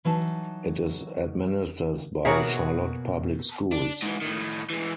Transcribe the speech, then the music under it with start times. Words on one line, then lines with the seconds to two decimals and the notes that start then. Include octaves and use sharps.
It is administered by Charlotte Public Schools.
0.05 E3 F#3 D#4 A5
2.25 B2 A#3 B3 F#4 G#4 A#4 C#5 E5
3.73 D4
4.02 G#2 E3
4.22 A2 D#3
4.70 E3 G#3